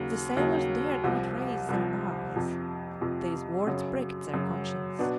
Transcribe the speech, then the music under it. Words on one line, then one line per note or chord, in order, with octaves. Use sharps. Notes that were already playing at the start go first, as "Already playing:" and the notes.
The sailors dared not raise their eyes; these words pricked their conscience.
Already playing: D#2 C#3 F#3
D#2 C#3 F#3
C2 C3 F3
C2 C3 F3
F2 C3 F3
F2 C3 F3
F#2 C#3 F#3
F#2 C#3 F#3
B2 F#3 B3 D4